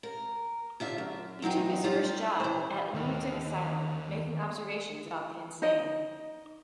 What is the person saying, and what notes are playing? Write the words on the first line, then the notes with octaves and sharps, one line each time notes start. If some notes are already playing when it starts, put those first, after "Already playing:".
He took his first job at Lunatic Asylum making observations about the insane.
A#4
D3 F4 E5
F#2
E2 F#3 D#4 G5
G3 F4 D5
E3 C5
D#2 D#3
D#4 D#5